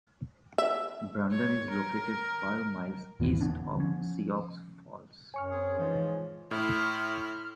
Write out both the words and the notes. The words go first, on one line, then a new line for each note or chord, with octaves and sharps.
Brandon is located five miles east of Sioux Falls.
E5
C#5
A#4
G#1 E2 A#2 E3
D3 B3 C#4 D4
F3 C#4
F#2 C#5 G#5 C#6 F6
C4 G#4
G#2 E3 F3
A2 E4 C6 F6